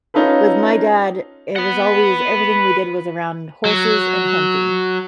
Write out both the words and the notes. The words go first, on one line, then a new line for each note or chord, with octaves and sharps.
With my dad, it was always everything we did was around horses and hunting,
C#4 D#4 F4 A4 B4
B4 F#5
F#3